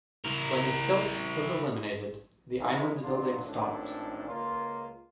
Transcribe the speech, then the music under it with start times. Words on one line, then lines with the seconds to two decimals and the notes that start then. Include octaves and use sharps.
When the silt was eliminated, the island-building stopped.
0.25 E4 A#4
2.61 E3 G#3 C#4 D#4 E4
3.03 C#3 F#3 B3 D4 D#4 F4
3.44 G#1 A2 D#3 A3 C#4 D4
4.28 C#2 A#3 F4